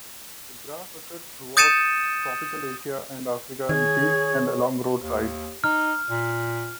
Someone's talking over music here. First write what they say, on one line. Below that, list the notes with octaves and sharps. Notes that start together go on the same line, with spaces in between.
The grass occurs throughout tropical Asia and Africa in fields and along roadsides.
D#6 G6 A6 C#7 D#7 E7
D#3 G#4 C#5 G#6
D#2
D#4 F6
A#2